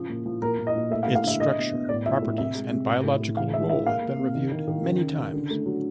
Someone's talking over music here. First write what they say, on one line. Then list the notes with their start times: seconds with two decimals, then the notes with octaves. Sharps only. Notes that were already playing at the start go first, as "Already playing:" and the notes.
Its structure, properties and biological role have been reviewed many times.
Already playing: C#3 F3
0.09 A#2
0.26 F3
0.42 A#2 A#4
0.59 A#2
0.67 D#5
0.75 A#2
0.90 A3 E5
1.03 F5
1.08 A3
1.15 F5
1.23 D3 E5
1.40 A3 D#5
1.57 B2
1.73 B2
1.89 A2 D5
2.06 F3 E5
2.23 A2
2.38 C3 E5
2.55 G#3
2.71 C3
2.87 A2
3.04 A2
3.20 A2
3.37 E3 F5
3.54 G#3 E5
3.69 G#3 E5
3.86 A#3 F5
4.03 A#3
4.19 C3
4.35 D#3
4.51 D#3
4.67 D#3
4.84 C#3
5.00 C#3
5.18 C#3
5.34 D3
5.51 A3
5.66 F#3